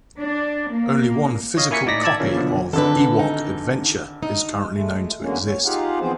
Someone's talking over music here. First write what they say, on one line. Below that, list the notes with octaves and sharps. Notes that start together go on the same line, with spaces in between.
Only one physical copy of "Ewok Adventure" is currently known to exist.
D4
A#3
C#5 D#5 F5
A#3 E4 G#5 C#6 B6 C#7
A2 D#4 D5 A#6 B6
D5 A5 E6 G#6
C#3 E3 F3 A#3 C#4
B2 D3 F3 F#3
G#1 D3 A4 B4
D#4
D#4
G#3 A3
E2 D3 F#3 G#3 A#3 C#4
C#5
D#4 F4 G4 G#4 F5 F#5
E3 F3 B3 C4 G#4 C5